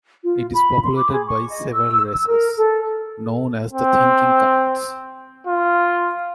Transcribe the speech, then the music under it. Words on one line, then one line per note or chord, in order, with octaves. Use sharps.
It is populated by several races, known as the "Thinking Kinds".
F4
B5
C6
D6
G#4
C#6
D#5
E6
E6
A#4
A4
C4
F4